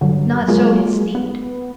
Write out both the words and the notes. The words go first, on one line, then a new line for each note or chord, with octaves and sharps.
Not so his steed.
G2 D3 F#3
F#3 G#3 A#3 F4
B3